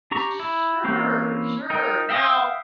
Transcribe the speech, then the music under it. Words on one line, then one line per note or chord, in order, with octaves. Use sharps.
S sure, sure, now,
D4 G4 A#5 C#6
E4
E3 A#3 C4 C#4
D#4 A#4 G5
E5 F5 G5 A5 D#6